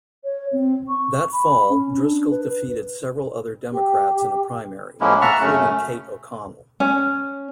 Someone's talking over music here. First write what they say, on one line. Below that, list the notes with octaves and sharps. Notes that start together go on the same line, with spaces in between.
That fall, Driscoll defeated several other Democrats in a primary, including Kate O'Connell.
C#5
C4
C#6
B5
C#4
D4
B4
B4
G4
A2 F3 G#3 A#3 C#4 E4
E5 F#5 A5 A#5 C#6 F6
F#2 C#3 A3 C#4
C#4